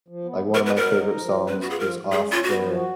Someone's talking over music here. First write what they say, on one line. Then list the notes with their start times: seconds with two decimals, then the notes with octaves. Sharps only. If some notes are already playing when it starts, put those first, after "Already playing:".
like, one of my favorite songs is off their
0.08 F3
0.24 B3
0.39 F3
0.54 B3 A#4
0.66 B4
0.70 F#3
0.77 A#4
0.86 D#4
1.02 A#4
1.18 F3
1.33 F#2
1.48 B3 B4
1.61 F4 F#4
1.70 G#4
1.80 F3 A#4
1.97 G#2
2.12 G#3 G#4
2.27 C#4 F4
2.43 B3 F#4
2.59 F3
2.74 F#4